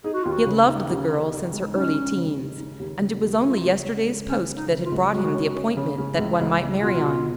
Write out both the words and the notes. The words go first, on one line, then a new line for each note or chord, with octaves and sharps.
He had loved the Girl since her early teens, and it was only yesterday's post that had brought him the appointment that one might marry on.
D#4 G#4
F#4
D#2 F4
F#4
C#3
D#4
D#2 C#4
D#4
D#4
G#3
C#4 D#4
D#4
C#3
D#2
D#4
D#2
C#3
D#2
G#3 F4
C#3
C#4
G#3
C#3 C#4
C#3
D#4
C#3
F4
C#2
G#3 F#4
C#4
C#4
C#3
C#3
C#2
C#2
C#2
B2 F4
B2